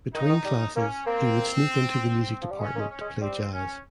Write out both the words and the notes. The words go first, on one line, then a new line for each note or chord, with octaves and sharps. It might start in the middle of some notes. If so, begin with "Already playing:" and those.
Between classes he would sneak into the music department to play jazz.
D#3 D#4
C#3
D#3
G3
A#3 C#4
A#3 C4
F3
G3
G#3 C#4
A#3
G#3
C#4
G#3
G3 C4
C#4